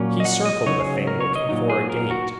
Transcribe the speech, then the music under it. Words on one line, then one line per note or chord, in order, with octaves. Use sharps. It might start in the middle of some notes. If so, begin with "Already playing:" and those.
He circled the thing, looking for a gate.
Already playing: A#2 F#3 A#3 C#4
D#5
F#5
D#5
C#3 F#3 D#4 C#5
G#4
A#4
C#5
D#5
A#2 F#3 D#4
G#4
A#4
F#4